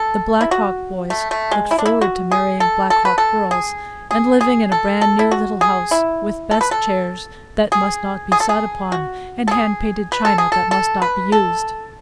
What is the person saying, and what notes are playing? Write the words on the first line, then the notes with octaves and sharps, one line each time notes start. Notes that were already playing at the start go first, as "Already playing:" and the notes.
The Black Hawk boys looked forward to marrying Black Hawk girls, and living in a brand-new little house with best chairs that must not be sat upon, and hand-painted china that must not be used.
Already playing: A4
E4
F#4
A3
A3
G#3
E4
D4
E4
F#4
G#4
A4
A4
B4
A4
G#4
G#4
G#4
A4
A4
E4
F#4
G#4
E4
A4
B4
A4
G#4
G#4
A4
G#4
F#4
A4
G#4
B4
A4
G#4
A4
A4
B4
A4